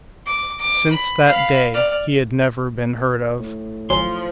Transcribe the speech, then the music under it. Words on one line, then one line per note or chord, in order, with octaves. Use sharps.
Since that day he had never been heard of.
D6
D6
B5
F5 B5
D5 F6
A2
G#1 F3 F#3 G#5 C6